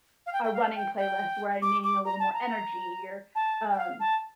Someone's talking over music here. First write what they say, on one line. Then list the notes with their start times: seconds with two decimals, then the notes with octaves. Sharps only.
a running playlist where I'm needing a little more energy or, um
0.26 F5
0.33 G5
0.44 G5
0.54 F5
0.76 G5
0.97 G5
1.62 D6
1.84 D6
2.05 A#5
2.20 A5
2.34 A#5
3.35 A5
3.73 G5
3.78 F5
4.00 A5